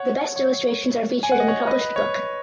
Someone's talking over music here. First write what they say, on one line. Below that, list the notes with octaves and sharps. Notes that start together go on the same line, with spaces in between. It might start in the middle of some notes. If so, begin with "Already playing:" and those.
The best illustrations are featured in the published book.
Already playing: C#5 F#5
C#5
C#5
G#5
F#5
D#5
C#5 F#5
B4 D#5
B4
C#5